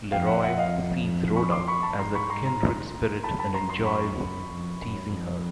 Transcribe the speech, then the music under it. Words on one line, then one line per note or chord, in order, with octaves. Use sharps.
Leroy sees Rhoda as a kindred spirit and enjoys teasing her.
F2 F5 G5
E5 F#5
F2 E5 F#5
D#5 F5
B5 C#6
C6 D6
B5 C#6
A5 B5
G#2 A#5 C6
B5 C#6
G#2 A#5 C6
A#5 C6
F#2 A5 B5
A5 B5
A#5 C6
A#5 C6
B5 C#6
F2
F#2
F2